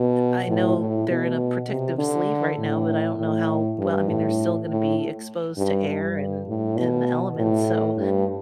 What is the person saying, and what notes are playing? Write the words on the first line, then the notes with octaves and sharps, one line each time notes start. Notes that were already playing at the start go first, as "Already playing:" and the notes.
I know they're in a protective sleeve right now, but I don't know how well, I mean, they're still gonna be exposed to air and and the elements, so,
Already playing: B2
A2
A2
B2
C3
D3
A2
A2
G2
A2
A2
G2
G2
A2
B2
A2
G2